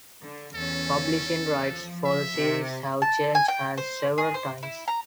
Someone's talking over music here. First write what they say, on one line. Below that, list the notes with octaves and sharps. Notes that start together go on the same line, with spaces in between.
Publishing rights for the series have changed hands several times.
D3
E2 C#4 A4
F3
E5
C3
A5
G#5
G5
C5
G#4
C5
E4
A#5